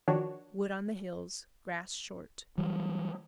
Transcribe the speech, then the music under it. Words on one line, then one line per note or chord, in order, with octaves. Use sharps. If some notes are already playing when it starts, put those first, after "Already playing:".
Wood on the hills; grass short.
D#3 F3 D4 F#4 C#5
E3 F#3 G3